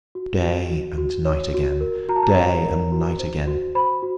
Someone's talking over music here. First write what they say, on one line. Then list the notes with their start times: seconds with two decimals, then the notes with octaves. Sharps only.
Day and night again, day and night again.
0.15 F#4
0.42 F#4
0.70 F#4
0.98 F#4
1.25 C#5
1.54 F#4
1.81 A#4
2.08 F#4 A#5
2.16 A5
2.23 A#5
2.36 C#5
2.64 A#4
2.92 F#4
3.19 C5
3.47 F#4
3.75 C5 B5
4.02 F#4